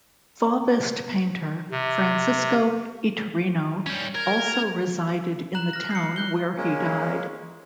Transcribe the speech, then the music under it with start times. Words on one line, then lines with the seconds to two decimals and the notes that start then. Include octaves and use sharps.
Fauvist painter Francisco Iturrino also resided in the town where he died.
1.71 C3
3.86 G3 C#4
4.15 A#4 G#6
5.55 A#5 F#6 E7 F#7
5.73 F6 A#6
5.91 C7 C#7
6.16 F#6 G6 G7
6.57 G#3 A#3 C#4